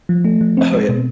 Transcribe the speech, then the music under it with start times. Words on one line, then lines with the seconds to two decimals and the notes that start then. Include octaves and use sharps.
Oh, yeah.
0.09 F3
0.25 A3
0.41 F3
0.57 C4
0.73 G#3
0.89 B2